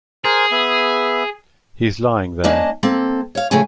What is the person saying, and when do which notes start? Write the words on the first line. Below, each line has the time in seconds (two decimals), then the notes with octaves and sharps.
He's lying there.
0.24 G#4 A#4 C5 G#5
0.51 B3 E5
2.44 A#3 C#4 D4 D#5 A5
2.83 A#3 C4 A4
3.35 C#5 F5
3.51 C#3 F3 A3 G#4 G5 G#5